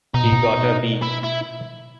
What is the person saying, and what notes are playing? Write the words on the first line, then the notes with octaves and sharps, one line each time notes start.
He got a B.
B2 D#4
A2
B2
E4
E4